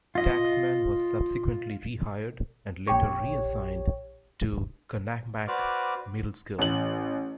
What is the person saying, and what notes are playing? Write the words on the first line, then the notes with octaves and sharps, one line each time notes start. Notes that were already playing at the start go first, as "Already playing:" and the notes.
Taxman was subsequently rehired, and later reassigned to Conackamack Middle School.
F4 D#5
A#1 G4 C#5
F#4 B4 C5 D5 D6 F6
A1 F#7